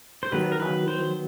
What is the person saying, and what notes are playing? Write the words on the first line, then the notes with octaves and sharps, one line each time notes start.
Was it mucky?
C5
D#3 F#3 B3 B4
A#4
B4
C5